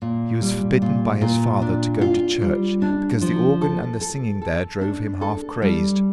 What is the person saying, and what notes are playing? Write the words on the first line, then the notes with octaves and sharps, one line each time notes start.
He was forbidden by his father to go to church, because the organ and the singing there drove him half crazed.
A#2
G3
A#2
A#2
D4
F4
G3
D4
F3
A4
A4
A4
D4
A4
G3